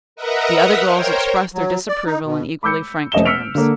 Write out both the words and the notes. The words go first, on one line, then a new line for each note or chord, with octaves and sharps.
The other girls expressed their disapproval in equally frank terms.
A#4 B4 D#5 E5 F#5 A#5
A#4 C5 C#5 G5
F#3
D5
D#4
B2
B5 D6 E6 G6 C#7
F1 C#4 D#5 E5 E7 G7
E6 F6 B6 C#7 D7 F7
D3 A#3